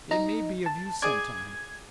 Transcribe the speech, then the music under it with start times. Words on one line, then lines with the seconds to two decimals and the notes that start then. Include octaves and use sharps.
They may be of use some time.
0.11 D#4 A#5
0.66 A5
1.02 G#4 D5 G#6